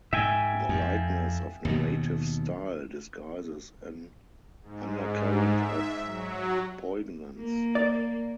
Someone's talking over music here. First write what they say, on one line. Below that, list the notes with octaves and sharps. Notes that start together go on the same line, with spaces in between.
The lightness of narrative style disguises an undercurrent of poignance.
G#2 E5 G5 G#5
F2
D#2 B2 F#3
G#2
E5
F#3
A#3
D5